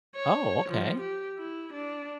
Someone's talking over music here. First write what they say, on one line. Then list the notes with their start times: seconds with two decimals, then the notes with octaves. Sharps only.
Oh, okay.
0.16 C#5
0.69 F3
1.00 G4
1.38 E4
1.73 D4